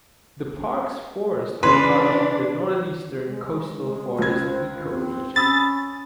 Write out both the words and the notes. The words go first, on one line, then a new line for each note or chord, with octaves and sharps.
The park's forests are part of the Northeastern coastal forests ecoregion.
C#3 E3 D4 B4 C6
G#3
G#3
C#2 C5 G#6
C4
C#4 B5 D#6 E6 A6